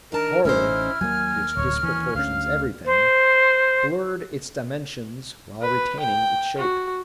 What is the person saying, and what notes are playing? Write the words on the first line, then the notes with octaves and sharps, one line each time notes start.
Horror, which disproportions everything, blurred its dimensions while retaining its shape.
D#3 D4 A#4 A5
A1 A3 C#4 D#4 E4 C5 F6
D#2 G#2 F#3 A#3 G#5
D1 C#5
E3 C#4
D2 C#4 F5
C5
B4
G5
F#4